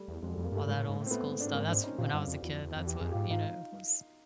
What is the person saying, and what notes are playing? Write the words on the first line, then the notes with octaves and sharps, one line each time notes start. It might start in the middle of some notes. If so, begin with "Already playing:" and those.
all that old school stuff. That's when I was a kid, that's what, you know, was
Already playing: G3 A3
E2
F2 F#3 G#3
G3 A3
F2
G#3 A#3
G2 G3 A3
G#2 G#3 A#3
A2
G#2
A2
C4
A2 A3 B3
G2
G#2
D4
C#4
A#3 C4
C4 D4
C#4 D#4
A#2 F4 G4
G2
F2
E2 E4 F#4
F2
E2
F2
E2 G4
F2 G#4
F4 G4
G#2
G#2 D#4 F4